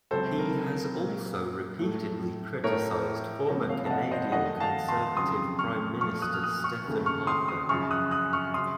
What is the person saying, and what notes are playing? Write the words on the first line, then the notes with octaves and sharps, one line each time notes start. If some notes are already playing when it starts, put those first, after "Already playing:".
He has also repeatedly criticized former Canadian Conservative Prime Minister Stephen Harper.
C#2 C3 F#3 A4 C5
A#4
A#4
A#2 F#3 A#3
A2 F#3 A3
A2 A3 A#4 C#5
C#2 C3 F3 A#3 A#4 C#5
C#5 F5
A5
D#5 F#5
C5 D#5
F2 D#3 A3 D#5 F#5
F5 A5
A5 C6
F2 C#3 F#3 C6 D#6
C#6 F6
A#2 F3 A3 C#6 F6
D#6 F#6
F6
D#6 F#6
C#6 F6
D#2 C#3 A3
C#6 F6
C6 D#6
C6 D#6
F#2 C#3 F3 C#6 F6
D#6 F#6
D#6 F#6
C#6 F6
C#3 F#3 C6 D#6